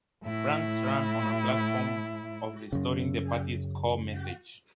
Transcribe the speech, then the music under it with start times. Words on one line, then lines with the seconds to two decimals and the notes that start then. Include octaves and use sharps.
Franks ran on a platform of restoring the party's core message.
0.23 A2 E4
2.73 F#2 C#3